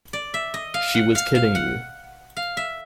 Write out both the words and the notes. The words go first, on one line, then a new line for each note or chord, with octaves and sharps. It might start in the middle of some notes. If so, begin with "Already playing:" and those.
She was kidding you.
D5
E5
D#5
F5
F#5
F5
F5
F#5
F5
E5